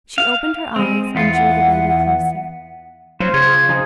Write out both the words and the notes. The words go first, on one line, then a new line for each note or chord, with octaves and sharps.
She opened her eyes and drew the baby closer.
F5
G#3 C4
E2 B3 F4
F#5
F#3 F4 C5
C#3 G#6
F3 D#4 G#4